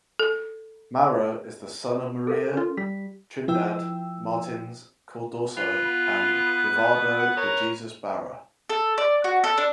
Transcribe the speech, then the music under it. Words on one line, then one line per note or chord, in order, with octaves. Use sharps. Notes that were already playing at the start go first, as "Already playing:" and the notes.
Mauro is the son of Maria Trindade Martins Cardoso and Vivaldo de Jesus Barra.
A4
A4 A#4 F5
C#4 F4
G3 B6
F3 E4 B4 G5 E6
F4 B4
B3
F#5
A#4 C#5
A4
D5
F#4
A4
D4